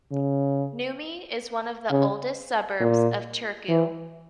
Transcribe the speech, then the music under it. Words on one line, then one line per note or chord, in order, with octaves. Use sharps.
Nummi is one of the oldest suburbs of Turku.
C#3
C#3
A#2
E3